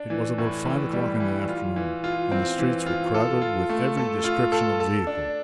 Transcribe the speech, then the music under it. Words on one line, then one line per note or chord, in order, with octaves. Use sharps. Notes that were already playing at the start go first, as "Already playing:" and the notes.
It was about five o'clock in the afternoon and the streets were crowded with every description of vehicle.
Already playing: D4
E3
A2
E3
G3
E3
F4
E3
F4
C4
E3
F4
A4
F4
A3
A4
F4
A4
A4
D4